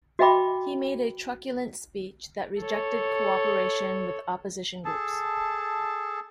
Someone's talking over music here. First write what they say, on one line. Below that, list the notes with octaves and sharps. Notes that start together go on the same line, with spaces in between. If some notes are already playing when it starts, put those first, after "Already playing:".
He made a truculent speech that rejected cooperation with opposition groups.
F#4 D#5 E5 G5 B5 D6
A4 C#5
G#4 A4 A5